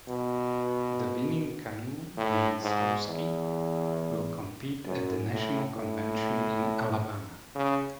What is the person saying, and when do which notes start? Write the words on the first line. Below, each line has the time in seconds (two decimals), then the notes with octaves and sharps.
The winning canoe, named Sauske, will compete at the national convention in Alabama.
0.08 B2
2.17 A2
2.63 G#2
3.08 E2
4.87 F#2
5.31 A2
5.76 A2
7.55 C#3